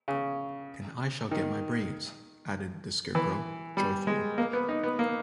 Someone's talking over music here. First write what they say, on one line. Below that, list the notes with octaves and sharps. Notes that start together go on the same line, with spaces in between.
"And I shall get my brains," added the Scarecrow, joyfully.
C#3
D#3
E3
G3
G#3
A#3
B3
D#4
B3
A#3